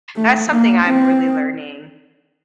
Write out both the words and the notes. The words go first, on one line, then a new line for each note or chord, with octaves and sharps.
that's something I'm really learning.
A3
A#3
C4